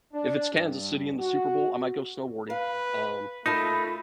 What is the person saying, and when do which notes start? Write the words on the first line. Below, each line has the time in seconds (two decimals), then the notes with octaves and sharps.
if it's Kansas City in the Super Bowl, I might go snowboarding. Um,
0.13 D4
0.53 G2
1.18 F#4
2.50 B4 F5
3.46 A3 D#4 F4 A#4 A5 B5